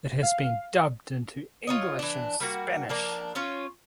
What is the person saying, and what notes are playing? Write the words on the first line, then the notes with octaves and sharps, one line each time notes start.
It has been dubbed into English and Spanish.
F5
F4 C#5 D#5
E3 D4
G3 A#3 F#4
F3 A#3 D4
C#4 F4 C#5